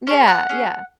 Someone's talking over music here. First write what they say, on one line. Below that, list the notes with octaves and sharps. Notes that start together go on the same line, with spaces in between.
Yeah, yeah.
C#4 G#4 C#5
F#5
C#4 G#4